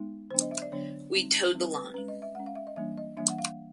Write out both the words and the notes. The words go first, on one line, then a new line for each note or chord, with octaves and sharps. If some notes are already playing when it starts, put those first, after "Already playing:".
We toed the line.
Already playing: G#3 B3 D#4
D3 F#3 B3 D4 C5
D#5
E5
D5
D3 F#3 B3 D4 C#5
G3 C4 D#4
G3 C4 D#4
B4
G#3 C#4 B4
D#5
E5
G#3 C#4 F#5
F5
E5
D#5
E3 G3 A#3 D4 E5
D#5
E3 G3 A#3 D4 E5
F#5
F5